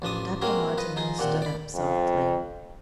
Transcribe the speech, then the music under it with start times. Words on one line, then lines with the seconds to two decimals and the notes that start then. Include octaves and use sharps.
Dr. Martineau stood up softly.
0.02 A1 F3 D4 D#6
0.41 G#3 A#3 C4 C#4 F#4 G#4
0.77 F3 B4 D#5
0.96 F3 D#4 G#4
1.19 D#2 A#2 C4 F#5
1.42 D5 B5
1.75 F2